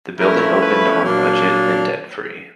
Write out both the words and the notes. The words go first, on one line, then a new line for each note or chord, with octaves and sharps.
The building opened on budget and debt free.
F3 A3 C#4 E4 A#4
B4
A#2 F#3 A#3 D4